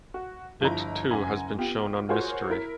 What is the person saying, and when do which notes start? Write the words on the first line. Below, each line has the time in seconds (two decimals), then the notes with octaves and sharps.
It too has been shown on Mystery!
0.14 F#4
0.61 G1 F3 E4 D#5 A#5
1.10 F#1 F#5 G#5 A#5 G#6
1.58 B3 F4 G4
2.09 F4 F#4 G#4 A#4 C5 C#5
2.50 E4 A#4 B6